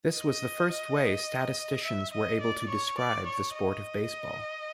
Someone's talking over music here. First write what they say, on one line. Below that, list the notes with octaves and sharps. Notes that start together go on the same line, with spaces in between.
This was the first way statisticians were able to describe the sport of baseball.
D#5
E5
D#5
D5
C#5
D5
C#5
D#5